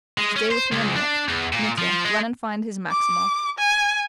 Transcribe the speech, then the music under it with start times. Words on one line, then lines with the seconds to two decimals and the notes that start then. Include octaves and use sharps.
"Stay with me a minute. Mitya, run and find his Maximov."
0.18 G#3
0.36 C#4
0.51 C5
0.72 C#2
0.96 D4
1.28 E2
1.52 A#2
1.78 F3
2.04 G#3
2.91 D6
3.59 G#5